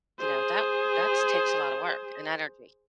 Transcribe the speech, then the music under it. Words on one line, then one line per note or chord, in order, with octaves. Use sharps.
You know, that that's takes a lotta work and energy.
G#4 C5